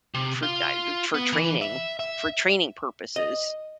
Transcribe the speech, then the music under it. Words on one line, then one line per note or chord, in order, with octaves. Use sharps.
for di- for training for training purposes.
C3
F4
B3
E3
E5
E5
D#5